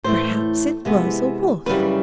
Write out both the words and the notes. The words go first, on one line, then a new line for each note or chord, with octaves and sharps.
Perhaps it was a wolf.
A2 E3 A3 C5
C3 E3 G#3 B3
F#2 C#3 E3 G3 B4